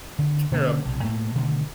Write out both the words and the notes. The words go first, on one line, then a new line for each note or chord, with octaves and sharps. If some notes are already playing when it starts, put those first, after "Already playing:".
take care of.
D3
B2 D3 A#3 C#4
B1 C3
A2 A3 A#3
B2 D3 D#3 A3